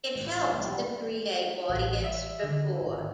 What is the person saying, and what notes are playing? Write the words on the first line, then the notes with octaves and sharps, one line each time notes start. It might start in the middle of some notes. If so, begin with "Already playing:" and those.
It helps to create audience rapport.
A1
B1
E3 G3 G4 F#5 C6
A1
E5
D3
G#1